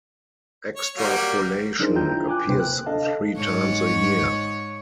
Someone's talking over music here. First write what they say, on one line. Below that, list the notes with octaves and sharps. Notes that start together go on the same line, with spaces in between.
"Extrapolation" appears three times a year.
C#5
G3 A#3 F#4
F#3 D4 D#4 G#4 A#4 C5
D4 E4 F4 G5 A#5 G6
G#5 D6 F#6
D#2 C3 A#3 B4 C5 G5
F#6
D4 A4 D#5 F5 A5
G#2 C#5